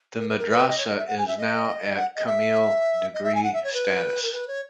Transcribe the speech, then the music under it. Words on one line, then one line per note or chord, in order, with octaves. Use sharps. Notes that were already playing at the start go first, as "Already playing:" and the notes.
The madrasa is now at Kamil degree status.
A#4
B4
A#4
B4
D#5
C#5
D#5
E5
F#5
G#5
E5
D#5
F#5
D#5
E5
D#5
E5
G#5
F#5
E5
C#5
B4
A#4
B4
C#5